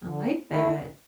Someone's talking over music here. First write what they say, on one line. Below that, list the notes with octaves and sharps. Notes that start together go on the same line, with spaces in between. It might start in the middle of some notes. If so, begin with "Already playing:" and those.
I like that.
D3
A3 E4